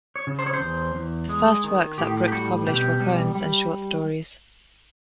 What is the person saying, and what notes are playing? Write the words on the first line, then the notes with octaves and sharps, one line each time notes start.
The first works that Brooks published were poems and short stories.
C#5
C#3
C5
C#5
C5
E2
E2
G#3
D#3
A2 G4
G4
G3 F#4
B2 G4
G3
G3